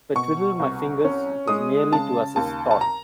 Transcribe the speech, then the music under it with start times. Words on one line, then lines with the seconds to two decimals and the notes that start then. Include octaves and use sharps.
If I twiddled my fingers, it was merely to assist thought.
0.15 B2 C#6
0.60 C2
1.04 C#4
1.48 G#3 D#6
1.92 C#3 A5
2.36 D#2 A5
2.71 A5
2.81 A#5